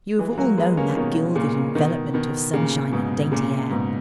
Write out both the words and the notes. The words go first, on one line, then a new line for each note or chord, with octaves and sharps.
You have all known that gilded envelopment of sunshine and dainty air.
E3 G#3
F#3 A#3
G#3 B3
A#3 C#4
B2 D#3
A#2 C#3
B2 D#3
B2 D#3
A#2 C#3
G#2 B2
A#2 C#3
G#2 B2